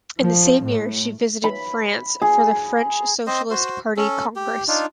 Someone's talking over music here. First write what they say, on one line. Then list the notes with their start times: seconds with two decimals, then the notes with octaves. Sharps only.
In the same year, she visited France for the French Socialist Party Congress.
0.20 F3
0.65 A2
1.44 B5
2.22 G#4
3.27 C4 C5 D#5
3.51 F#4 C5
3.97 C#4 A4
4.36 G4
4.68 D4 D#4 F4